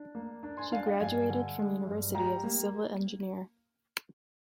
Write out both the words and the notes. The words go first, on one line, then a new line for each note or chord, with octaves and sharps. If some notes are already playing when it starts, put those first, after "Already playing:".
She graduated from university as a Civil Engineer.
Already playing: D4
A#3
D4
G#5 C6
D4 F5 G#5
D#5 G5
G2 F5 G#5
D3
G#3
G2
G3 G5 A#5
A#3